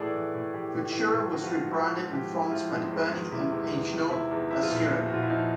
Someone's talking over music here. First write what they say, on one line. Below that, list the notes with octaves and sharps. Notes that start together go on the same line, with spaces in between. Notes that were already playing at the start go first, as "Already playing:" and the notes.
Futura was rebranded in France by Deberny and Peignot as "Europe".
Already playing: A2 E3 G#4 A4 D5
E3
A2
E3 G4
A2
E3
A2
F3 F#4
F4
G#2 F#4
F3
G#2
F3 G4
G#2
E4
F3 F4
G#2
E2
D#3
C3 E4
E2
E2
D#3
C3 E4
E2
F3 E4
F4
A#2
E4
F3
F#4
A#2 F4
E4
F3 D#4